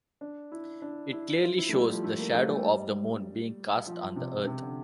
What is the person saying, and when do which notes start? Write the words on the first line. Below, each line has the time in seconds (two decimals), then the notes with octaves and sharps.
It clearly shows the shadow of the Moon being cast on the Earth.
0.21 D4
0.52 E4
0.82 D4
1.13 E4
1.43 F4
1.58 E4
1.69 A3
1.73 G3
1.89 F3
2.04 A3
2.19 A#3
2.34 A3
2.50 G3
3.86 F3
4.16 C3
4.47 C3
4.62 D3